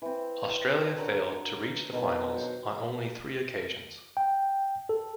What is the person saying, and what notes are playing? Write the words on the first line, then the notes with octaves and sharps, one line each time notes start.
Australia failed to reach the finals on only three occasions.
E3 C4
G#5
A4
D3 A#4 C#5
B2 D#3 F#3
F#4 C5 C#5
G5
A4